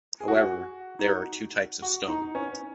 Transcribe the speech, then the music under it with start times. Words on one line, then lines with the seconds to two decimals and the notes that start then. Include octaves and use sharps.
However, there are two types of stone.
0.20 G#4
0.28 F#4
0.99 D#4
1.05 F#4
1.82 F#4
2.08 D#4
2.35 C#4